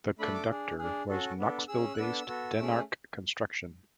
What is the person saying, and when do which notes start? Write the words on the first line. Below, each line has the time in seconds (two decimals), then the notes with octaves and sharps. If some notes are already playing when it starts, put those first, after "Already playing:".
The conductor was Knoxville-based Denark Construction.
0.19 A3 D4 A4 B5
0.34 D6
0.49 D4 G#4
0.79 D4 G#4
1.09 C#4 F#4 A4
1.39 B3 D4 A4
1.68 C#4 G#4 E6
1.94 F#6
1.98 B3 D4 A4 E6
2.27 B3 F#4 A4
2.58 A3 C#4 G#4